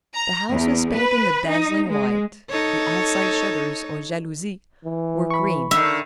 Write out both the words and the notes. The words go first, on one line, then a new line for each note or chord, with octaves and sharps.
The house was painted a dazzling white; the outside shutters, or jalousies, were green.
A#5
E2
B4
D#4
G#3
D#4 A4 C#5
E3
B5 C#6
D3 D#3 E5